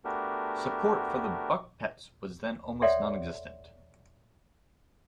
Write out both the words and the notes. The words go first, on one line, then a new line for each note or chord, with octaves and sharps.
Support for The Buck Pets was then almost non-existent.
A3 B3 D4 F#4 G4 A#4
A4 C#5 D5 E5 F#5 C6